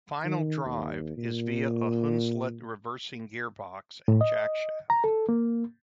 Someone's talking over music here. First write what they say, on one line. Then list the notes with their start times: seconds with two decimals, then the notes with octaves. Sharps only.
Final drive is via a Hunslet reversing gearbox and jackshaft.
0.24 D#3
0.65 D#2
1.17 A#2
4.08 A2
4.21 D#5
4.90 A#5
5.04 A4
5.29 A#3